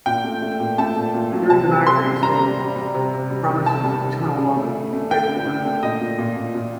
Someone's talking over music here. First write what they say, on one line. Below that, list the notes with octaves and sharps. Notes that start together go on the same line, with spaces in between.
During the night, they exchanged promises of eternal love and faithfulness.
A#2 G5
A3
A3
A#2
A3 A5
A#2
A#2
F#3
C3 A5
C3
C3 C6
G3
G3 A#5
G3
G3
G3
C3
C3
G3
D#3
C3 A5
G3
C3
G3
D3
A3
A3
A3
A3 G5
D3
D3
A3
A#2 D#5
A#2
A#2
A#2
A#2